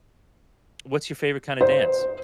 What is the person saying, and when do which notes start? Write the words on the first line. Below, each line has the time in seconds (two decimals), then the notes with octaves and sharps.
what's your favorite kind of dance?
1.61 C5